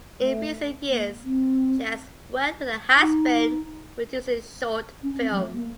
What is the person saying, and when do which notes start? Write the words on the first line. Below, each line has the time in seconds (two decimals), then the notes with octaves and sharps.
In recent years, she has worked with her husband producing short films.
0.20 A3
0.89 A#3
1.23 C4
2.95 D#4
5.02 C#4
5.20 C4
5.31 F#3
5.36 A3
5.54 A#3